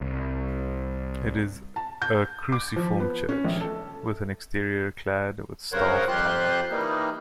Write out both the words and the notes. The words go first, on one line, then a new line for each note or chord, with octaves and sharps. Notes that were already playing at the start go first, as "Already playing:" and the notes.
It is a cruciform church, with an exterior clad with staff panel.
C2
A5
G6
D6
F3
B3
C#4
A#1
A4
G2 C#3 A#4 C5 C#5 F#5
F2 F4 G4 C5 C6 F#6
E3 G3 A#3 D#4